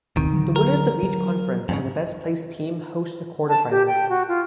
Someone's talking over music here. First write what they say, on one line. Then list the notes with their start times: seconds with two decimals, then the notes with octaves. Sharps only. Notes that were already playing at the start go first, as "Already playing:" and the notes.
The winners of each conference and the best placed team host the quarterfinals.
0.17 E1 D#2 D#3 C4
0.30 D3 F#3
0.56 A#4
1.03 F#3
1.69 F2 G#2 C#3
3.49 A5
3.71 G4
3.87 G5
4.09 F#4
4.29 F4